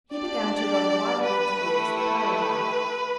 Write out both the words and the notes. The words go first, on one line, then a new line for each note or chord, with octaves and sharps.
He began to run wildly towards the caravan.
D4 G4 D5
B4
A3 E4 G4
B4